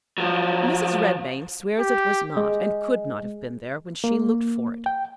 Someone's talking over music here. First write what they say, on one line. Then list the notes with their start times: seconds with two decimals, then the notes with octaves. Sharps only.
Mrs. Redmain swears it was not, and could not have been, there when she looked for it.
0.18 F3 F#3
1.79 G4
2.37 G#3
4.04 A#3
4.86 G5